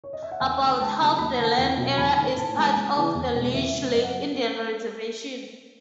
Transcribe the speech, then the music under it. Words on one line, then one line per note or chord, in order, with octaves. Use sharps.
About half the land area is part of the Leech Lake Indian Reservation.
C#5
D#5
E5
F#5
E2 G#5
D#3 A3
C#2 A5
C#3 F#3 A3 A5
D#2 B5
D#3 A3 A5
E2
B2 F#3
E2 B5
D#3 A3
A2 A5
E3 G#3 B3 G#5
C#2
C#3 E3 B3
E2
B2 G#3 B3
E2 E5
C#3 G#3 B3
F#2 D#5
F#5